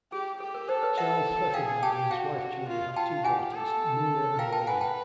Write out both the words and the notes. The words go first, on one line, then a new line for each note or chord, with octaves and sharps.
Charles Fefferman and his wife Julie have two daughters, Nina and Lainie.
G4 G#4
G4 A4
A#4
A4 C5
B4 C#5
A4 E5 F#5
G#4 F5 G5
G4 G5 A5
F#4 F5 G5
F4
F4 G5 A5
G4 F#5 G#5
A4
A#4 F5 G5
G5 A5
B4 F#5 G#5
G5 A5